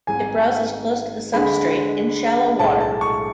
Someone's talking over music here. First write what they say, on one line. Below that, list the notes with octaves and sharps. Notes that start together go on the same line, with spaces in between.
It browses close to the substrate in shallow water.
G#1 G#2 G#3 G#5
D2 D3 G#3 B5
B1 A2 G#3 A5
A5
C#6